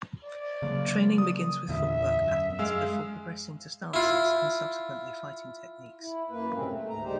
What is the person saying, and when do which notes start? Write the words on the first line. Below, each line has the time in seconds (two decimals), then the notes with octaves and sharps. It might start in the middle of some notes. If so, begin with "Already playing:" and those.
Training begins with footwork patterns before progressing to stances and subsequently fighting techniques.
0.24 D5
0.62 C#3 F#3 A#3
1.18 D#6
1.69 E2 A#2 D3 E5
2.20 F#2
2.59 G#3 F5 E6
3.94 E4 F4
6.00 E4
6.30 F#2 A#3 B4
6.54 A2 C3 G#3 C4 C#4
6.68 A3
6.89 D2 G#2 A#5
7.04 D#2 C#3 G3 D#4 G4 C5